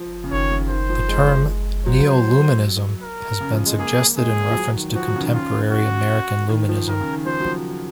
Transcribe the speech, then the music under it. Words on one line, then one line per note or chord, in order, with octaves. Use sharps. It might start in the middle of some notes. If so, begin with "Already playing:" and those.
The term "neoluminism" has been suggested in reference to contemporary American luminism.
Already playing: F3
C#3
D#3 C#5
C#3
D#3 C5
F3
G#3
F#3 C5
A#4
C#3
F3
G#3
A#3 G#4
G#3 G#4
F3
F#3
D#3
F3 F#4
F#3
C#3
D#3
C#3 F4
F#4
D#3
F3
D#3 A#4
C#3
D#3
F3 C5
F#3
F3